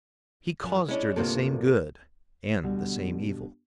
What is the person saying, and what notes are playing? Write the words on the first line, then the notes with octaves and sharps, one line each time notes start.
He caused her the same good and the same evil.
F#2 F3 F#3
G#3 C#4 D4 E4
D2 G2 C3 A#3 F4 A4
B2 D3 G3